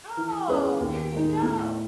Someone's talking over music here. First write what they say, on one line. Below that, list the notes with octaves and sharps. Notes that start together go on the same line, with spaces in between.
Oh, there you go.
E3
G#3 C#4 G#4 B4
D#2
D#3 G#3 D#4
A2